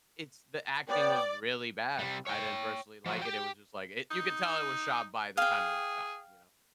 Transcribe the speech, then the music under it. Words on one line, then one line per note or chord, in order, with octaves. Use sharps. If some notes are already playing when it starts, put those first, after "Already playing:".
it's the acting was really bad. I didn't personally like it. It was just like i you could tell it was shot by the time it was shot, you know?
B3 C#5 D5 G5
C3 G3
C#5 G5
F3 F#3
G4 G5
D#4
G#4 F5 G5